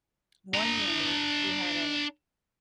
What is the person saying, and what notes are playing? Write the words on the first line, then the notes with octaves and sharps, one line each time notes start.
One year we had a
D4 A#5